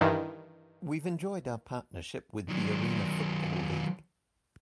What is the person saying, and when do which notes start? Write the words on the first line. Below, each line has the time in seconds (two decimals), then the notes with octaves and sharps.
We've enjoyed our partnership with the Arena Football League.
0.01 G2 D#3 E3
2.48 D#3 F#3